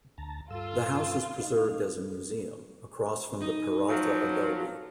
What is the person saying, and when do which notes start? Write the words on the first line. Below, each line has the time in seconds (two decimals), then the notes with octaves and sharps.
The house is preserved as a museum, across from the Peralta Adobe.
0.18 D2 A5 A#5
0.50 G2 F4 A4 E6
1.39 D#4 F5
3.42 D#4
3.89 F3 F#3